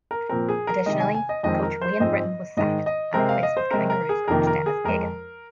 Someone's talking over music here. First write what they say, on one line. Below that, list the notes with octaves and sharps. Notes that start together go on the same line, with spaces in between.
Additionally, coach Wayne Brittain was sacked, and replaced with Kangaroos coach Denis Pagan.
A#4
A#2 F3 C4 A#4
G#4
A#4
C3 D#3 G#3 D#5
G#5
G#5
D#5
F2 D#3 G#3 C4 D#5
A#4
C5
G#2 F3 G#3 C4 D#5
G#2 D#3 G#3 D#5
D#5
C3 G#3 C4 A#4
F5
D#5
C5
C3 G#3 C4 A#4
A#4
G#4
F2 C3 D#3 A#3 A#4
A#4
G#4
F2 F3 G#3 A#4